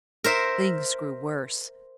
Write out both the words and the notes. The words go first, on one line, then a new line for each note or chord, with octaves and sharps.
Things grew worse.
A#4 C5 E5